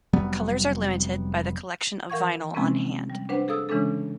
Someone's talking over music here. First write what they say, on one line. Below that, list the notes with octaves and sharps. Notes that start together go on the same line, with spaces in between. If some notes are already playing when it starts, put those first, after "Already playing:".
Colors are limited by the collection of vinyl on hand.
F1 F#3 G3 B3
E3 A#4 F5 F#5 C#6 G#6
C3 F3 G#3 A#3 C4 C#4
G3
D4 B4 C5 F#5
G#4 A4 F5 D#6 E6
C#3 E3 G#3 C#4 D4 A4